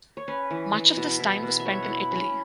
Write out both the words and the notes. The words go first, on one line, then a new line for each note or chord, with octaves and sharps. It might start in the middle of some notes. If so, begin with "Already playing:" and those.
Much of this time was spent in Italy.
C#5
C#4 B4
E3
E3
B2
E4
B2
E5
E4 C#5
F#5
E4
B5
C#4
B5